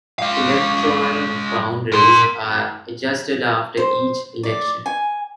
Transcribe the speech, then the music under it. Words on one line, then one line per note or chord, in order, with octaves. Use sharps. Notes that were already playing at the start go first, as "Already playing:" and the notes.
Electoral boundaries are adjusted after each election.
G#3 F5
A#4 C6
C5
D5
G#5